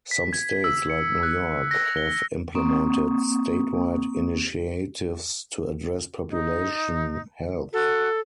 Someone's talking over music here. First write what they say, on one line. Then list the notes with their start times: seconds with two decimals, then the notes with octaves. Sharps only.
Some states, like New York, have implemented statewide initiatives to address population health.
0.11 B6
0.33 G#6
0.64 E6
0.90 C#7
1.23 F#6
1.71 A#6
1.97 G7
2.55 A#3 C4 C#6 D#6
6.31 D#4
7.73 F#4 A4